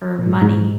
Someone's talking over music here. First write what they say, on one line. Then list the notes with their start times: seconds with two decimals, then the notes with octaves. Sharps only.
or money,
0.19 A#2
0.26 G#2
0.42 G#2